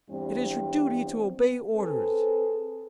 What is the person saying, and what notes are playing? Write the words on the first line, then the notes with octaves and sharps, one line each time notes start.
"It is your duty to obey orders."
E2 G2 G3 C4
C4 G#4 A4 B4